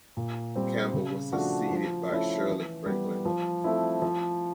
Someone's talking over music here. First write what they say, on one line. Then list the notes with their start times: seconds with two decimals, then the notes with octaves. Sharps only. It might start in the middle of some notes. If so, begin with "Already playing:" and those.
Campbell was succeeded by Shirley Franklin.
0.17 A#2
0.55 G3 C4
0.94 C#3
1.32 F3 A3 D4 F#4
1.71 F3
2.10 A3 C#4 E4
2.48 E3
2.86 G3 B3
3.25 F3
3.64 A3 C4 E4
4.02 F3